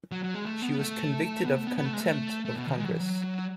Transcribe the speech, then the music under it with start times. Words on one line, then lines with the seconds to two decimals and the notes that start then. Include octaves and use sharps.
She was convicted of contempt of Congress.
0.12 F#3
0.23 F#3
0.34 G#3
0.46 A3
0.62 B3
0.79 A3
1.45 B3
1.56 A3
1.67 B3
1.78 B3
1.85 A3
1.93 G#3
2.00 A3
2.45 A3
2.55 B2
2.66 D#3
2.77 G#3
2.85 F#3
2.92 E3
3.00 F#3